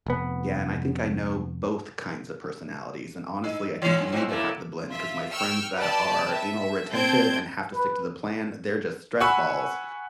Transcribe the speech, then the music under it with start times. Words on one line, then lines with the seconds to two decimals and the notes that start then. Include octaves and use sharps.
Yeah, and I think I know both kinds of personalities. And honestly, I think you need to have the blend, 'cause my friends that are anal-retentive and have to stick to the plan, they're just stress balls.
0.06 F1 B3
3.44 D#4
3.82 E3 C#5
3.97 G#2
4.12 A2 C4 F#4
4.28 A3 A#3 E4
4.88 F4 E5
5.32 G5 C#6 E6 F6
5.76 G4 B4 D5 G5 A5
6.35 E5
6.92 C4 A5 G6 G#6 D7
7.73 B4
9.20 F#5 G#5 B5 C#6 E6 F#6